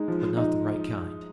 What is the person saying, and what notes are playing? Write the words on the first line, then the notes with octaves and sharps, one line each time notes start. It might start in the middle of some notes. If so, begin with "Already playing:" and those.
But not the right kind.
Already playing: G#3 D#4
F3
D#4